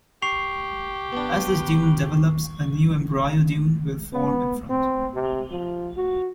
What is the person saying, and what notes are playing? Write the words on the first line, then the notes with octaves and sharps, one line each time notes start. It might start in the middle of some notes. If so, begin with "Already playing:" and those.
As this dune develops, a new Embryo dune will form in front.
G4 C#6 C7 F7
B3 D4
B3
C4
C3
F3
F#4